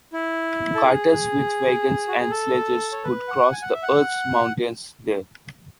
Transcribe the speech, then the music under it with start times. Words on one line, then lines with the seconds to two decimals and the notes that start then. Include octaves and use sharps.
Carters with wagons and sledges could cross the Erz Mountains there.
0.13 E4
0.75 A4
0.85 G#4
2.08 F#4
2.20 G#4
2.31 A4
2.92 C#5
3.04 B4
3.28 F#5
3.52 G#5
3.62 F#5
3.73 E5
3.83 F#5